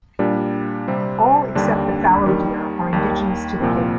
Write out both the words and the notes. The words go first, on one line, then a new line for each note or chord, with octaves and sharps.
All except the fallow deer are indigenous to the Cape.
A#2 G3 D4
C3 G3 C4
D#2 D3 G3 D4
D#2 D#3 G3
D#2 D#3 G3
C2 A#2 F3 C4